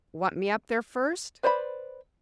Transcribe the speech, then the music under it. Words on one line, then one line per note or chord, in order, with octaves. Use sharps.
"Want me up there first?"
B4 C5 D5 A5 B5